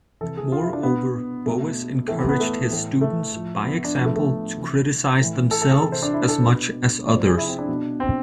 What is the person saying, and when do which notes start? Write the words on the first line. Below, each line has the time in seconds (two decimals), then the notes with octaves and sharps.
Moreover, Boas encouraged his students, by example, to criticize themselves as much as others.
0.21 C3 E3 A4
0.37 G#4
0.52 F4
0.63 E4
0.73 D4
0.83 B2 B3
1.46 B2 A3
2.08 A2 E3 A3
2.18 B3
2.29 B3
2.40 A3
2.70 A2 E3
3.01 A3
3.33 A2 F3
3.64 B3
3.74 B3
3.84 D4
3.95 A2 F3 B3
4.05 A3
4.16 A3
4.57 C3 E3
5.20 A2 E3
5.51 A4
5.62 A4
5.71 G#4
5.82 C3 E3 A4
5.92 C5
6.02 D4
6.13 E4
6.28 A4
6.44 B2 B4
7.07 C3 F3 D5
7.17 C5
7.27 G#4
7.37 E4
7.48 C4
7.58 D4
7.69 B2
8.00 C4